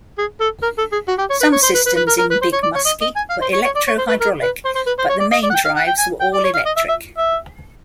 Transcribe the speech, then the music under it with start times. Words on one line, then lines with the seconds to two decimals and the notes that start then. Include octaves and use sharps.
Some systems in Big Muskie were electro-hydraulic, but the main drives were all electric.
0.18 G#4
0.40 A4
0.63 A#4
0.78 A4
0.92 G#4
1.08 F#4
1.19 G4
1.30 C#5
1.41 B4
1.53 C#5
1.63 C5
1.75 B4
1.86 B4
1.96 B4
2.07 A#4
2.19 A#4
2.31 B4
2.42 C5
2.53 C#5
2.63 D5
2.75 C#5
2.86 D#5
3.01 D#5
3.16 G#5
3.30 F5
3.42 C5
3.53 C#5
3.65 C#5
3.76 D5
3.87 C#5
3.98 C5
4.09 B4
4.21 A#4
4.42 B4
4.65 C5
4.75 C5
4.87 B4
4.99 C5
5.09 C#5
5.20 D5
5.32 D#5
5.43 D5
5.50 F#5
5.54 G5
5.65 F5
5.77 F#5
5.87 G5
5.99 G#5
6.21 G5
6.34 D5
6.44 C#5
6.54 F5
6.66 D#5
6.76 E5
6.89 E5
7.18 E5